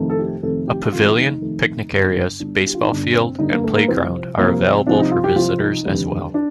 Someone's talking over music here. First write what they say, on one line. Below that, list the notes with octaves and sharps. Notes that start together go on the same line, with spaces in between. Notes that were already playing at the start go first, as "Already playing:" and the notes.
A pavilion, picnic areas, baseball field, and playground are available for visitors as well.
Already playing: F2 C3 D#3 A3
A4
G4
F2 C3 D#3 A3 A4
G4
G4
F2 C3 D#3 A3 F4
D#4
F2 C3 D#3 A3
G1 G2 D3
G1 G2 D3 D4
G4
F4
D#4
G1 G2 D3 D4
C4
G1 G2 D3 D#4
A#3
A3
A#3
C2 C3 F3 C4
C2 C3 F3 A#3
C4
C2 C3 F3 D4
D#4
F4
G4
C2 C3 F3 F4
D#4
F1 D#2 D3 G3
D4